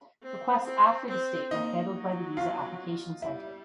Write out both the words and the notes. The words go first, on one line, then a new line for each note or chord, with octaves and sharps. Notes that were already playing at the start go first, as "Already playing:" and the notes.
Requests after this date are handled by the visa application centre.
C4
C4
C4
A#3 D#4 D#5
F#3
F4 F5
G3 E4 E5